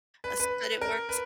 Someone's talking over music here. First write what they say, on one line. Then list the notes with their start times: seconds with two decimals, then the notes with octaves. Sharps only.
uh, s but it works
0.24 B4
0.40 B4
0.81 A#4
1.09 B4